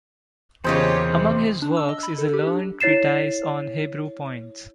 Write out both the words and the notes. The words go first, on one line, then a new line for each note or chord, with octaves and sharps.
Among his works is a learned treatise on Hebrew points.
E2 A#2 C#3 F4 G4 C5 C#5 D#5
C3 E3
D4
E6
D#5
B5
A4
G4
D4
E4 C#5 A6 C7 E7